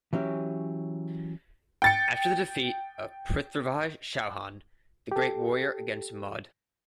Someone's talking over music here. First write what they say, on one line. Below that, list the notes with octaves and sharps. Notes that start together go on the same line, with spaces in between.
After the defeat of PrithviRaj Chauhan, the great warrior against Mohd.
E3 F#3 C#4 G4
G5 A6 C#7
G4 A4